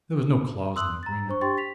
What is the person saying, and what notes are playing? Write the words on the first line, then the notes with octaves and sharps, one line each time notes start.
There was no clause in the agreement.
C6 D#6 E6 F#6 F#7
A#5 A6
D4 C5 C#6
D4 G4 G5 C6 C#6 A6
B6 F7